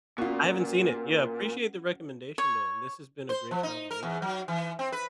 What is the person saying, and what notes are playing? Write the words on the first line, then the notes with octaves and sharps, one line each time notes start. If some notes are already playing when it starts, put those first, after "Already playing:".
I haven't seen it. Yeah, appreciate the recommendation, though, and this has been a great conversation.
A#2 B3 C#4 F4 F#4
C#5
C5
F3
D#4
A#4
E2
F#3
E3
C4
B4